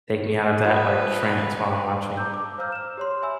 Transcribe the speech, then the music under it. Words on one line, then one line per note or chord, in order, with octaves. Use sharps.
take me out of that, like, trance while I'm watching.
F3 B4 D#6
A5 A#5 D6 E6 G6
D6
C5 F5 A#5 E6 F6 G6
F6 E7
G4 C#5 C6
C#5 E5 G#5 B5 E6